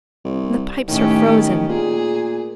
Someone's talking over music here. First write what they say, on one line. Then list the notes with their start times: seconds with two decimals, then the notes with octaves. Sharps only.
The pipes are frozen.
0.25 C2
0.88 A2 D#3 C#4 G4
1.69 A#2 G#4